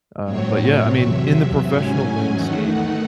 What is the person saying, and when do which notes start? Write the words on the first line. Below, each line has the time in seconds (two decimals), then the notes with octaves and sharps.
Um, but yeah, I mean, in the professional landscape,
0.24 A2 F#3 C4 C#5
0.92 E2 C3 F#3 E5
1.61 G#2 F#3 C#4 G#5
2.29 E2 D#3 A3 D#4 F#5